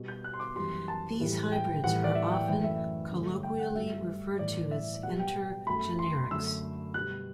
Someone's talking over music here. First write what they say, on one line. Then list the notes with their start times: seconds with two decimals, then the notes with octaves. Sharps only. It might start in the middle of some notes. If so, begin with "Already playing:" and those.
These hybrids are often colloquially referred to as intergenerics.
Already playing: B2 G3
0.08 G6
0.24 F#6
0.34 C6
0.40 D6
0.56 F#2 E3 G3 C6
0.88 A5
1.19 A2 E3 G3
1.52 G5
1.83 A2 E3 G3 F#5
2.04 D5
2.15 E5
2.31 G5
2.48 F#2 E3 A3 G5
2.64 E5
3.12 G2 D3 F#3 A3
3.43 G5
3.59 F#5
3.75 G2 F#3 A3 E5
4.39 A2 E3 A3 D5
4.71 E5
5.03 B2 G3 F#5
5.19 G5
5.67 F#2 F#3 A3 B5
5.99 C6
6.31 F#2 D3 F#3 A3 E6
6.94 B2 G3 F#6